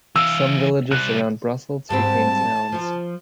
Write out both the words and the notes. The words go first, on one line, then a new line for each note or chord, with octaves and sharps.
Some villages around Brussels became towns.
E3 F5 E6
C3 G3 F#6
G#2 G3 C4 A5
F3 F4